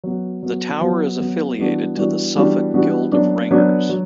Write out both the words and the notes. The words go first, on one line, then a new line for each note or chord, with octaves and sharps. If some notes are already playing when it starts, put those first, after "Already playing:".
The tower is affiliated to the Suffolk Guild of Ringers.
F#3 B3 F#4
F#3 B3 F#4
F#3 B3 F#4
F#3 B3 F#4
E3 G3 B3 D4 F#4
E3 G3 B3 D4 F#4
E3 G3 B3 D4 F#4
E3 G3 B3 D4 F#4
F#3 B3 D4
F#3 B3 D4
F#3